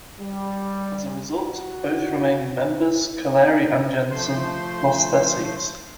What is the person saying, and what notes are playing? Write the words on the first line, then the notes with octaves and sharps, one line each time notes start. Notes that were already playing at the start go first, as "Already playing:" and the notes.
As a result, both remaining members, Collaery and Jensen, lost their seats.
G3
F#4
F3 A3 C5 C6